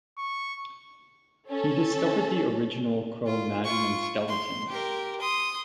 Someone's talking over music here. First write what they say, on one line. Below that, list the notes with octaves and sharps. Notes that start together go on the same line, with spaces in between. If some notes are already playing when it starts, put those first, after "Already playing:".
He discovered the original Cro-Magnon skeletons.
C#6
C#4 A4
F4
F4 C#6
C6
G4 A#4
C6 D#6